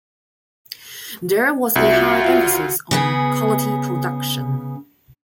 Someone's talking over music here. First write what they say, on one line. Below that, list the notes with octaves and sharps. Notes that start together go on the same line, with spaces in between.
There was a high emphasis on quality production.
C2 F4 F#4 E5
C#3 B3 G#4